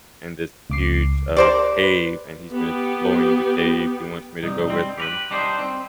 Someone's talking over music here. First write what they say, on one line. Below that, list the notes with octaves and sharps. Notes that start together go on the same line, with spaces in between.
and this huge, uh, cave, and he's been exploring the cave, he wants me to go with him
C#2 D6 C7
G4 A#4 C5 D5
B4
B3 G4
C2 G2 D#4
G3 C4
G4 A#4 B4
G3 D4 D#4 C5
C4